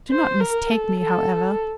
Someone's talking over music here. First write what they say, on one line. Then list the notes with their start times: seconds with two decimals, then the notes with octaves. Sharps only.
Do not mistake me, however.
0.11 C5
0.40 A#4
0.71 A4
1.01 A4